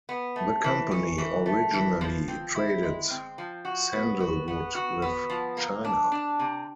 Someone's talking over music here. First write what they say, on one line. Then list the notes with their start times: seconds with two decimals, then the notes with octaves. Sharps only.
The company originally traded sandalwood with China.
0.09 B3
0.36 A3
0.64 E3
0.91 C#4
1.18 E3
1.46 A3
1.74 E3
2.01 F3
2.28 C4
2.56 E4
2.83 G#3
3.10 C4
3.38 F3
3.65 F#4
3.93 B3
4.20 F#4
4.48 B3
4.75 F#4
5.02 B3
5.30 F3
5.57 A#3
5.85 D4
6.12 D4
6.40 C3